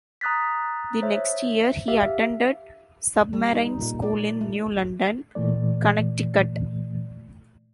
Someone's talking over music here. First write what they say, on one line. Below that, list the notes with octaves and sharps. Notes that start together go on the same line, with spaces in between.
The next year he attended Submarine School in New London, Connecticut.
A#5 D#6 F#6 A6 B6
C5 C#5 E5
G4 E5 F5
G3
D#4
A#2
D5
A3
A#2 E3 A3 D5